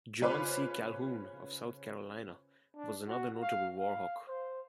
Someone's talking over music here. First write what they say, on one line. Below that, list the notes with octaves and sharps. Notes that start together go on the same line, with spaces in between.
John C. Calhoun of South Carolina was another notable War Hawk.
C#3 C#4 F4 B4 C5 D6
D4
F#4
F5
F5
C5